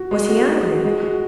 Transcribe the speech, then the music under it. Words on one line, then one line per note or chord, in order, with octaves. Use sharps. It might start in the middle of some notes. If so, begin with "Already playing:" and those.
Was he angry?
Already playing: F#4
G#3
F#4
G#3
F#4
G#3
F#4